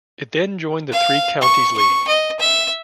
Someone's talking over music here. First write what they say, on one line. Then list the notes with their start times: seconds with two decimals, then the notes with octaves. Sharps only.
It then joined the Three Counties League.
0.92 F5
1.41 C#6
1.77 C#6
2.08 D#5
2.40 E5